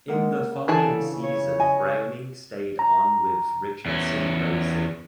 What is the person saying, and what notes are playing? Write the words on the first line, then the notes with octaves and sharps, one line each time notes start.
In the following season Browning stayed on with Richardson Racing.
G#3 A#3 A#4 F#5
C#3
D3 E3 G#4 A5
C#5
D#5 G#5
A#5
E2 C#4